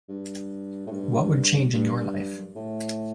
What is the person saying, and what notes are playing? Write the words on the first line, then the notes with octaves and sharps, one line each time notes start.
What would change in your life?
G2
A2
G2
G2
A2